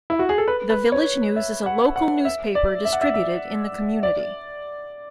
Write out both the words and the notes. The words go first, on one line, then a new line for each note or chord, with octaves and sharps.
The "Village News" is a local newspaper distributed in the community.
E4
F#4
G#4
A4
B4
B4
C#5
E5
F#5
F#5
E5
D5
E5
F#5
E5
E5
D5